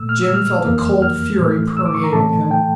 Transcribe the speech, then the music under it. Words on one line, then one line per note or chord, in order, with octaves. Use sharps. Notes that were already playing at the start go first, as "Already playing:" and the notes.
Jim felt a cold fury permeating him.
Already playing: A#2 A3 E6
F6
E6
F6
F2 E3 A#3
F6
A2 E3 A3
E6
D6
C#6
A#5
A2 E3 A3 A5
G5